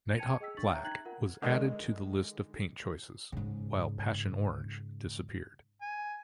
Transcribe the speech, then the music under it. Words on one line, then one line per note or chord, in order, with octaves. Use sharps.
"Nighthawk Black" was added to the list of paint choices, while "Passion Orange" disappeared.
G5 A5 G#6 C#7 D#7 F7
G#4 D#5 G5 E6 B6
D4 C#6 A6 F#7
C#5 E5 A#5 G6
D#4 G5 A#5 F#6 G#6 F#7
F4 A#4 F#5
D3 D#3 G#3
G#2 C#3
G#5